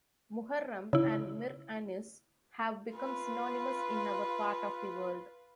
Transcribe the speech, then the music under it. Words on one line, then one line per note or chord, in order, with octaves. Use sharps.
Muharram and Mir Anis have become synonymous in our part of the world.
C#3 E4
F4 B4